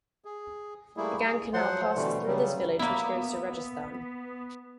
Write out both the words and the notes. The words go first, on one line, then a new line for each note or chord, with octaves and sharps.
The Gang canal passes through this village which goes to Rajasthan.
G#4
G3 A3 A#3 E4 G#4
G#4
F3 F#3 C5 F#5 C6
B2 D3 E3 G3 A3
C#3 F#3 G3
A#3 B3 E4